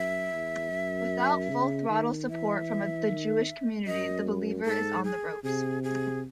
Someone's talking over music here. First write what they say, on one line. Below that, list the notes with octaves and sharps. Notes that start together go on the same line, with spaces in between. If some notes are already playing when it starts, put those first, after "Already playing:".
Without full-throttle support from the Jewish community, The Believer is on the ropes.
Already playing: F#2 E5
E2
F#2
C#3
D#3
E3 E5
D#3
F#2 D#5
G#2 A4
G#4
C3 G#4
G#4